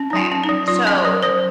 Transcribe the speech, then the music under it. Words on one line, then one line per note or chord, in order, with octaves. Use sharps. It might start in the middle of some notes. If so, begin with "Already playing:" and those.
okay. So,
Already playing: C#4
F#3 D#4
F4
C#4
D#4
F#3
F#3 F4
C#4 D#5
F#3 A#4
F#3 C5